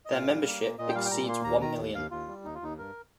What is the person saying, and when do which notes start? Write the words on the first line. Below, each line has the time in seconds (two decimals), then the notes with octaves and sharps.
Their membership exceeds one million.
0.05 D#5
0.12 A#2 F5
0.29 G3
0.45 A#3
0.62 A#2
0.78 A#2 D#5
0.89 G5
0.95 G3 F5
1.06 G5
1.11 A#2 A#5
1.28 A#3 C6
1.44 D#2 A#5
1.62 D#3 A#5
1.78 D#2
1.95 D#2 F5
2.11 D#2 F4
2.28 G3
2.45 D#2 D#4
2.54 F4
2.61 D#2 D#4
2.78 G2 A#4